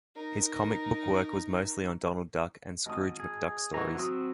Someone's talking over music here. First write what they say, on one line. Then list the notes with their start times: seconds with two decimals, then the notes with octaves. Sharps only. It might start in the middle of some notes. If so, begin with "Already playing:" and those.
His comic book work was mostly on Donald Duck and Scrooge McDuck stories.
0.16 D#4 A#4
2.86 G#1 D#6
3.20 G#4
3.74 E3 D#5 F#5 A#5 C#6
3.95 F#3 C4 F#4 D#6 E6